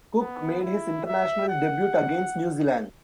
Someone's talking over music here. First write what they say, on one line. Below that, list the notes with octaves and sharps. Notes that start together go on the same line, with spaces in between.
Cook made his international debut against New Zealand.
B3
E4
E5
F#5